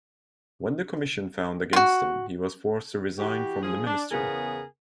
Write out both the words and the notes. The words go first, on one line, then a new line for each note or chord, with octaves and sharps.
When the Commission found against him, he was forced to resign from the ministry.
F4 F#4
E3 F#4 G4
F3 G#4
D4
E2 C#3 B3 G#4 A#4